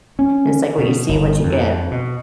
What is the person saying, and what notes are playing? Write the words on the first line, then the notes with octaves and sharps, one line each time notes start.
And it's, like, "What you see, what you get."
C#4
B2
G1
F2
B2